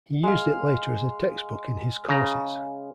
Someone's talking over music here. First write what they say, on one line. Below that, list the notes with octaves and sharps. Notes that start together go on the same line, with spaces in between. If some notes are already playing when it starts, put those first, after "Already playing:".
He used it later as a textbook in his courses.
G#3 F5
C#3 A#5